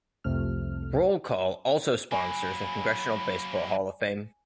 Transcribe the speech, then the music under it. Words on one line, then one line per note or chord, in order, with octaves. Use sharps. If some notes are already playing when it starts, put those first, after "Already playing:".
"Roll Call" also sponsors the Congressional Baseball Hall of Fame.
C2 F2 C3 A3 F6
F#3 A#3 G#5 B5